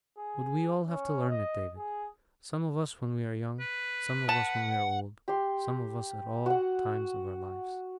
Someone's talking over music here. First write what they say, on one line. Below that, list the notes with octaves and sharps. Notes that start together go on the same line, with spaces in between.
But we all have to learn it, David; some of us when we are young, some of us when we are old, some of us at all times of our lives.'
G#4
C#4
D#5
G#4
B4
F#5 A5
G4 C6
F#4 F#5